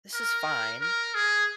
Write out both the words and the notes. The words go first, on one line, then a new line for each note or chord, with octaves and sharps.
this is fine.
A#4
A#4
G#4